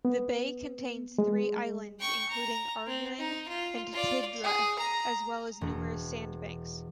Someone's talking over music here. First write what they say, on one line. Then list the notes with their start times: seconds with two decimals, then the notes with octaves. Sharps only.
The bay contains three islands, including Arguin and Tidra, as well as numerous sandbanks.
0.05 B3
1.18 G#3
2.00 G5 C#6
2.29 A#5
2.87 C4
3.19 D#4
3.48 F4
3.93 F4 D5
4.44 G#4
4.79 A#5
5.61 E1